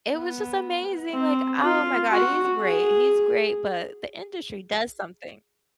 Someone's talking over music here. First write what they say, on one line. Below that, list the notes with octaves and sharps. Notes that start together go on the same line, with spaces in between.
it was just amazing. Like, oh my God, he's great. He's great, but the industry does something.
B3
C4
F4
F#4
G#4